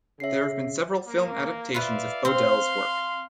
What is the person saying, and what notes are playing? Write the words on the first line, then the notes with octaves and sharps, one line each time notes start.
There have been several film adaptations of O'Dell's work.
C#3 E5 C7
A#3
F4 B4 D5 E5 F5
C4 F5 C6